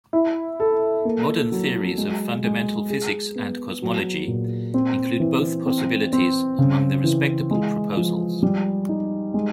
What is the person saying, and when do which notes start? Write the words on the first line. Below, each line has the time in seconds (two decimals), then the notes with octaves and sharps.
Modern theories of fundamental physics and cosmology include both possibilities among the respectable proposals.
0.13 E4
0.60 A4
1.05 A#3
1.52 F#3
1.98 G#3
2.44 G#3
2.90 G#4
3.36 B3
3.82 F#3
4.28 A#2
4.74 C4
5.20 E3
5.66 C4
6.13 C4
6.59 C#3
7.04 E3
7.51 G#3
7.97 F3
8.43 G3
8.89 D#4
9.34 G#3